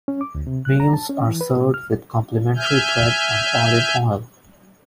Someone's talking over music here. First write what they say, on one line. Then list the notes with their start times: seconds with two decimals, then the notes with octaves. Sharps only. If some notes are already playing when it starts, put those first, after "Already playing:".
Meals are served with complimentary bread and olive oil.
0.08 C#4
0.21 D6
0.35 D2
0.47 C3
0.65 F#6
0.80 A#5
0.93 A5
1.10 C#4
1.28 E3
1.41 B4
1.56 A#2
1.74 F6
2.56 E5 G#5 F6 G6